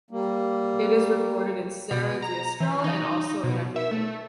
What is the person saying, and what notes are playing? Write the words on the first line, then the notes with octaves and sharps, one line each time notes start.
It is recorded in Serra da Estrela and also in Aveiro.
G3 A#3
B2
A#5
E3
D#4
B2
E5
A3